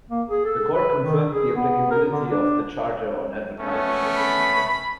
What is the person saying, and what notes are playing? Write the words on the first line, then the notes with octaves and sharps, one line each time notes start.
The court confirmed the applicability of the Charter on advertising over the Internet.
A#3
G#4
A4
B4
D#3
G#4
B3
A#4
D3
D4
A3 B3 C#4
B5